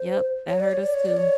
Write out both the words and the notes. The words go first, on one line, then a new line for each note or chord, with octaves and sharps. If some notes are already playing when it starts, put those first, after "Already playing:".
Yep. That hurt us too.
Already playing: C5
C#5
D5
C#5
D5
C#5
D5
C#5